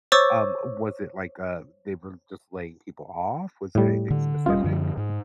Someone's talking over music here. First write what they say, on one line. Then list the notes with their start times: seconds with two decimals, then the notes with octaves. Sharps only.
Um, was it like, uh, they were just laying people off? Was there anything specific?
0.12 C5 C#5 C#6 D6 E6 A6
3.75 A2 G3
4.10 D3
4.46 E1 G3 C#4 F4 D#5
4.64 F#2 D3 F3
4.97 G#2